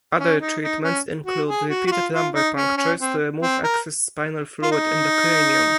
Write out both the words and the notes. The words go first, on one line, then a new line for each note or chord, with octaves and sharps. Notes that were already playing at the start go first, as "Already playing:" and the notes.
Other treatments include repeated lumbar punctures to remove excess spinal fluid in the cranium.
C#4
D#4
D#4
C#4
F#4
G#4
F#4
F#4
F4
F4
D#4
C#4
C#4
C4
C4
A#4
F4
D#4